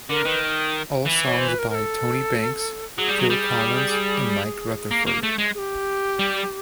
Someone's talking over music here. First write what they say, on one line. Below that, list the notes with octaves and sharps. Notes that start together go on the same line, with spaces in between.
All songs by Tony Banks, Phil Collins, and Mike Rutherford.
D3 A#4
D#3 B4
E3
C#5
C5
B4
A#4
A#4
A4
F#3 G#4
G3
F#3
G3
A#3
A#3
A3
G#3
G#4
G4
G3